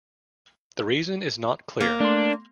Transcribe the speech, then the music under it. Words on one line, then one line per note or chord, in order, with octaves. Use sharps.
The reason is not clear.
A#3
A3 D4 C6